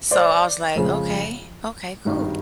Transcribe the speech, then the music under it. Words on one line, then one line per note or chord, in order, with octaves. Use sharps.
so I was like, "Okay. Okay. Cool."
C5 D5
F2 C#3 F3 G#3
G#1 G2 D#3 G3